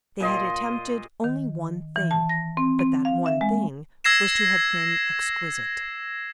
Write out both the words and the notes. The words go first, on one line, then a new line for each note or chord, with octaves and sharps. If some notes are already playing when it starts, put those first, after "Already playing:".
They had attempted only one thing, but that one thing was to have been exquisite.
A#2 D#5 C6
D#3
E3
A5
A#6
C4
C4
F5
E5
G#3
E6 G#6 A#6 C7 E7